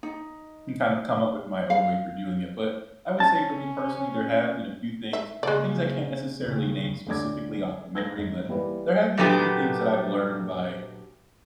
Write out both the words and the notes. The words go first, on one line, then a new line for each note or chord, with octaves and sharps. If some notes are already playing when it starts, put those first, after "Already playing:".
and kind of come up with my own way for doing it. But I would say for me personally, there have been a few things things I can't necessarily name specifically off of memory, but there have been a few things that I've learned by,
D#4
F5
C#4 A5
E5
C#3 G#3 A#3 D5
D#2 C#3
D2 D3 C#5 D5 D6 G#6
E6 G#6 A#6
G#1
E3 G3 A#3 B4 D5
A#2 F#3 A3 B3 D4 G4